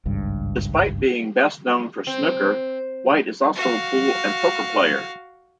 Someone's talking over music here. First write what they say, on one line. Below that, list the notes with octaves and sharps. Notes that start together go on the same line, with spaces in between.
Despite being best known for snooker, White is also a pool and poker player.
G#1 C#2 G2
C4
F#4 F5